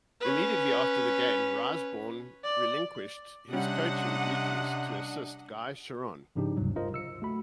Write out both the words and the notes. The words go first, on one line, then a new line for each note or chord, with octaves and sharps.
Immediately after the game, Risebrough relinquished his coaching duties to assistant Guy Charron.
C#4 B4
D5
C3 G3 C#4 D4 D#5 F#5
G#2 C#3 F3 D4 D#4 G4
G1 D2 G2 C3 F#3 G3
F4 A#4 C5 D#5
E6 C#7
A3 F#4 B5